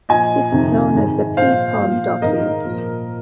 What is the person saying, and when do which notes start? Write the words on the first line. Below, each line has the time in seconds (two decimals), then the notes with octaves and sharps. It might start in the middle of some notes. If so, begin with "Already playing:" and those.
This is known as the Paypom document.
0.09 A#2 F3 D#5 G#5
0.51 F2 C3 D#3
0.94 G#2 D#3
1.37 A#2 F3 C5 F5
1.80 A#2 F3
2.22 G#2 D#3 A#4 D#5
2.65 A#2 F3